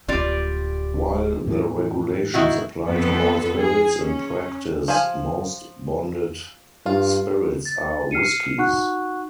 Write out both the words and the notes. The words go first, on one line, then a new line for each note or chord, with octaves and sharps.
While the regulations apply to all spirits, in practice, most bonded spirits are whiskeys.
D1 G1 G3 F4 D5
A2 E3
D#3 E4 F#4
F2 B3 A4
G#4
C#4
F3 F5 G#5
G2 F4
A6
F6 C7 C#7 D#7
D#4 F#4 F#5 C#6 F#6